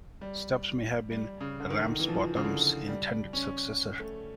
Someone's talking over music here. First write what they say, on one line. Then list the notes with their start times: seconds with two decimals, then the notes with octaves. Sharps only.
Stubbs may have been Ramsbottom's intended successor.
0.21 G3
1.11 G3
1.41 C#3
1.60 D3
1.70 D#3
2.00 E3
2.08 F3
2.16 E3
2.36 C#3
2.44 D3
2.89 G3
3.33 C#4
4.00 A3